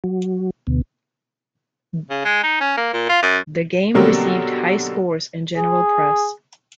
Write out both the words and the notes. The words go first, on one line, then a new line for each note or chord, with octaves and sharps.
The game received high scores in general press.
F#3
D2 B2
C#3
G#3
D#4
C#4
A#3
A#2
F4
F#2
B2 D3 F#3 G3 A#3 C4
G#4